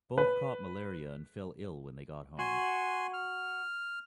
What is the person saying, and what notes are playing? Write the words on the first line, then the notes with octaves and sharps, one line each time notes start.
Both caught malaria and fell ill when they got home.
B4
F#4 G#5 C6
F6